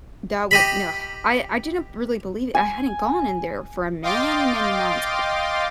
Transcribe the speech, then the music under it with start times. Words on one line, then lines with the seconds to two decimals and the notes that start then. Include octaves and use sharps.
That would no, I I didn't really believe it. I hadn't gone in there for a many many months c
0.51 G4 D#5 B5
2.55 G#5
4.03 D#5 F5 G5 C6 D6 A6